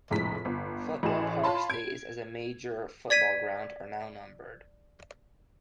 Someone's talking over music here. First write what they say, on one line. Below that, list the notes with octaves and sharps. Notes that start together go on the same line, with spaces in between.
Football Park's days as a major football ground are now numbered.
F1 A#1 A2 G#3 A#5 B6
G1
A1 A2 F#4 G#4 E7
F4 C#5 A5 B5 C6
G#6 D7
D5 G#6 B6 D#7